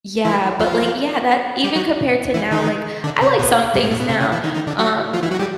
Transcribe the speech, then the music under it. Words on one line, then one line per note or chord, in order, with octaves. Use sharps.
Yeah, but, like yeah that even compared to now, like, I like some things now, um,
E3 E4
F3 F4
G3 G4
F#3 F#4
E3 E4
D#3 D#4
D3 D4
C3 C4
B2 B3
G3
G#2 G#3
A2 A3
B2 B3
C3 C4
C#3 C#4
E3 E4
D#3 D#4
D#3 D#4
D3 D4
F#3 F#4
F3 F4
E3 E4
F#3 F#4
G3 G4